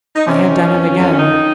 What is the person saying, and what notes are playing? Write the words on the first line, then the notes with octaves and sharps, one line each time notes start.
I had done it again.
D#4
C3 C#4
D#3
F2
F2
C#4
D#3 D#4